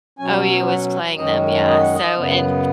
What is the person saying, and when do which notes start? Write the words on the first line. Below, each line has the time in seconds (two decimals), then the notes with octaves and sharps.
OU was playing them, yeah, so, and
0.19 B2 F#3 C#4 G#5
0.68 F#5
1.18 F#2 D#3 G#3 C#4 D#5
1.67 D#5
1.80 F#5
1.94 D#5
2.16 F#2 C#3 B3